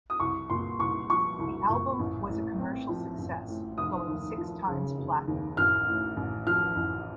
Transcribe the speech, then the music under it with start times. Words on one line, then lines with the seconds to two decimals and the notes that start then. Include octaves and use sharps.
The album was a commercial success, going six-times platinum.
0.10 D#6
0.20 C2 C#6
0.50 A#2 C6
0.79 C2 C#6
1.10 F3 C#6
1.39 C2
1.69 A#2
1.99 A1
2.29 A2
2.59 C4
2.89 F3
3.18 A1
3.48 A2
3.78 F1 D#6
4.08 D#2
4.38 F3
4.68 C#3
4.97 F1
5.28 D#2
5.57 A1 F6
5.87 A2
6.16 A1
6.46 F3 F6
6.76 A1